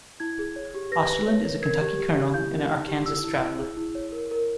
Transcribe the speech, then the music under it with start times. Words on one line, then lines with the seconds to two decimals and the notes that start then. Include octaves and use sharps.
Osterlind is a Kentucky colonel and an Arkansas traveler.
0.20 E4 G#6
0.39 G#4
0.56 C#5
0.75 G4
0.92 B4 A#6
1.10 B4
1.27 C#5
1.45 C#5
1.63 A#4 G#6
1.81 G4
1.98 G4
2.16 G4
2.34 E4 G6
2.52 A#4
2.71 D#4
2.88 G4
3.06 E4 E6
3.24 E4
3.41 E4
3.59 G#4
3.77 E4
3.95 C#5
4.12 A#4
4.31 A#4